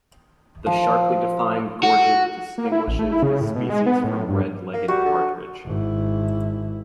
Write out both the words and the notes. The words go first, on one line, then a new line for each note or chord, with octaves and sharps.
The sharply defined gorget distinguishes this species from red-legged partridge.
F3
F#4
A#3
E4
A1
A3
E4
C#3
A2
B2
G#3
B3
A2
G2
A#3
G3 F#4
D3
G#1 E4